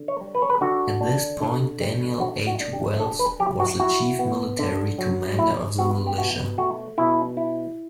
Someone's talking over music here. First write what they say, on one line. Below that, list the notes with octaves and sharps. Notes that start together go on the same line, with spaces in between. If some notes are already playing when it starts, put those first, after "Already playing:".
At this point Daniel H. Wells was the chief military commander of the militia.
Already playing: D3
C#5
G3
B4
C#5
B4
D3 F#4
D4
D3
G3
D3 F#4
F#4
D4
G4
D3 A4
B4
F#3 G4
F#4
E4 F#4
B3
D3
F#3
E4
B3 F#4
G4
B2 F#4
A3 F#4
B2 E4
E4